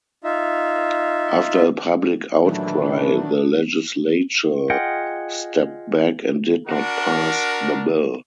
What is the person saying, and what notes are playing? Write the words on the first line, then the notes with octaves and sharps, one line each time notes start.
After a public outcry, the legislature stepped back and did not pass the bill.
D#4 F4 E5
A#2 D#3 E3 F#3 A3 D4
F4 G#4 D#5 F#5 G5
D4 F#4 A#4